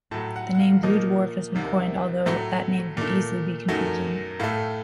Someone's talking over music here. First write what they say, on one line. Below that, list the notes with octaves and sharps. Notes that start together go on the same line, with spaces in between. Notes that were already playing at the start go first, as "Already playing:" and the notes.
The name blue dwarf has been coined although that name could easily be confusing.
A2 F#3 A3 A5
F#5
F#5
F5
A#2 F3 A#3 D#5
C2 C3 D#3
A2 F#3 A3
A#2 A3
F#2 D#3 F#3 A3
A2 A3 F5